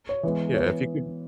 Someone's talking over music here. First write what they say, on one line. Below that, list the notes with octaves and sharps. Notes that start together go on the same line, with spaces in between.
Yeah, if you could
C#5
E3 G#3 B3
E3 B3 C#5